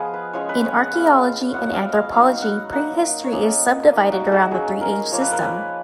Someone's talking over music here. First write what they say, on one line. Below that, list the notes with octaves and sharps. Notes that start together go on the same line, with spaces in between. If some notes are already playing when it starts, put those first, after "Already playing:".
In archaeology and anthropology, prehistory is subdivided around the three-age system.
Already playing: F3 B3 F4 G#4 D#5
B4
G#3 C#4 F4 C#5
B4
C#5
F#5
G#3 B3 F4 F5
F#3 B3 F4 F#5
F#5
F5
D#5 F5
F#3 B3 D#4 F5
F#5
A#3 D#4 F#5
C#5
A#3 C#4 F4 D#5
A#3 D#4
F#4
G#4
F#4
F#3 C#4 F4 G#4
A#4
F3 A#3 F4 C#5
B4
A#4
B4